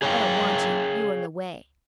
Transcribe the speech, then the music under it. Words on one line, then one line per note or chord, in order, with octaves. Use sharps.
"I don't want you, you are in the way."
G#4 C#5 F5 G5